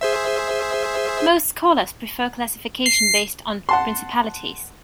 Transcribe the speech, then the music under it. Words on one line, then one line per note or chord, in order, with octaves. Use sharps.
Most scholars prefer classification based on principalities.
G#4 C5 E5
C7
F#5 A5 C6